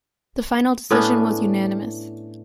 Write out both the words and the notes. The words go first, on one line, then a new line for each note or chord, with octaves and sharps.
The final decision was unanimous.
A2 B3 C#4 D4